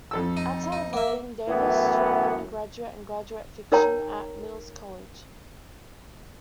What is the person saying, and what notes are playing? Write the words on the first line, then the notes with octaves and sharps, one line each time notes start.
Outside of writing, Davis taught undergraduate and graduate fiction at Mills College.
F2 A4 E6
D#4
D#4
A#3 E5
F#2 A2 E3 B3
D#4 A#4 C#5 G5 A#5